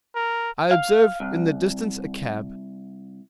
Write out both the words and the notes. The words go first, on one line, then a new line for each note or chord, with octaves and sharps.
I observe in the distance a cab.
A#4
F5
C2